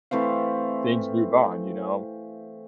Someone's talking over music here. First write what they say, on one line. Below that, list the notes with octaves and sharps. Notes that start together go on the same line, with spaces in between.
Things move on, you know?
E3 A3 C4 F5